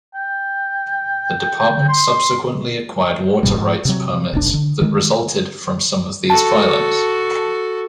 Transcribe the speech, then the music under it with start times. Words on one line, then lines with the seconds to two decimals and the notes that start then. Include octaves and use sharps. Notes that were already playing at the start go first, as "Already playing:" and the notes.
The department subsequently acquired water rights permits that resulted from some of these filings.
0.15 G5
1.89 C6
3.43 F#1 G2 B2 G3
3.56 G#2
3.85 C3 F#3
4.33 F1 B1 D4
4.54 D3
4.82 D#3 G#3
6.30 F#4 A4 A5